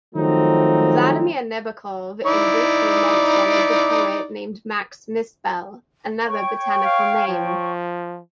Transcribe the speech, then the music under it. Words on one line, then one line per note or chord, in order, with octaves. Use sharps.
Vladimir Nabokov in briefly mentions a poet named Max Mispel, "another botanical name".
D#3 F3 F#3 A3 C4 D#4
D#4 E4 D5
C#5 G5 C#6
F5
F3